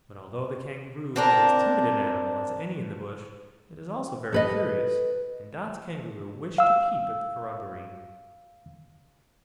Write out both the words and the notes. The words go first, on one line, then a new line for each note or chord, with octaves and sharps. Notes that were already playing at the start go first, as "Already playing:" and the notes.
But although the Kangaroo is as timid an animal as any in the bush, it is also very curious, and Dot's Kangaroo wished to peep at the corroboree.
C4 D4 A#4
A4 B4 D#5
F5 E6